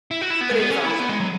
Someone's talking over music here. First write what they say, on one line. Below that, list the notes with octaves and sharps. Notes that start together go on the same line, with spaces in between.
but it was awesome.
E4
F#4
E4
B3
G#3
B3
C#4
E4
B3
G#3
F#3